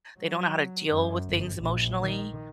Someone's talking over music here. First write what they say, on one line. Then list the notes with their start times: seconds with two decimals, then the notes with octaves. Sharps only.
they don't know how to deal with things emotionally,
0.20 F#3
0.88 F#2
1.28 G1
1.59 A#1
2.02 D#3